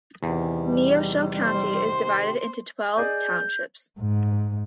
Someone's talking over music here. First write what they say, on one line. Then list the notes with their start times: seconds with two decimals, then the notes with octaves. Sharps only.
Neosho County is divided into twelve townships.
0.23 E2 C3 D#3
0.58 G3
1.43 C5
2.97 G#4 D5 D#5 G6
4.00 G#2